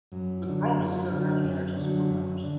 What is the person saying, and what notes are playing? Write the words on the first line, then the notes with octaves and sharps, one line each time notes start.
But the problem is he doesn't have any actual superpowers.
F#2
D3 F#3
F#2
D3 F#3
F#2
D3
F#3
F#2
D3